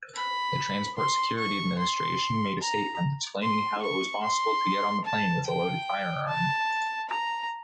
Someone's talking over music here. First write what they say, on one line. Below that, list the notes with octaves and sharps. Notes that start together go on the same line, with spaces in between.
The Transport Security Administration made a statement, explaining how it was possible to get on the plane with a loaded firearm.
B5
C6
C#6
C6
A#5
C6
C#6
C6
A5
G5
A5
A#5